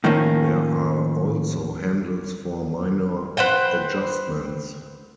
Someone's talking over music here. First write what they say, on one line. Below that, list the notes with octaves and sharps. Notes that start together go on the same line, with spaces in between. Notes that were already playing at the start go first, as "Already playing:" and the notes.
There are also handles for minor adjustments.
A2 D#3 F3 A#3 C#4
B4 C5 F#5 G5